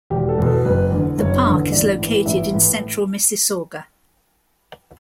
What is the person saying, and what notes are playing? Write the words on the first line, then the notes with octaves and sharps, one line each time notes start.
The park is located in central Mississauga.
E1 G4
A4
E2 B2
A4
F#1 B4
E2 D3
F#1 C#5
E2 D3
A1 D5
A2 E3
A1 E5
A2 E3